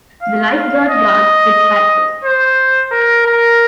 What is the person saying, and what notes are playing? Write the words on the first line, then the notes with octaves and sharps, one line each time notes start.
The Life Guard guards the castle.
F5
F5
D#5
C5
A#4
A#4